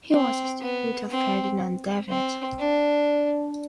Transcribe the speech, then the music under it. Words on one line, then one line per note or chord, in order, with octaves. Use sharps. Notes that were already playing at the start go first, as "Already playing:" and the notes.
He was a student of Ferdinand David.
C4
B3
C4
C4
D4